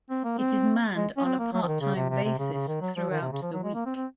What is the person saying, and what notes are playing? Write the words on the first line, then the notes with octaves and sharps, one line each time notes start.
It is manned on a part-time basis throughout the week.
C4
A#3
C4
G#3
C#4
C4
A#3
F#3
F3
D#3
C#3
C3
C3
C3
C#3
C#3
D#3
F#3
F3
D#3
C3
C#3
F3
F#3
G#3
A#3
C4
C4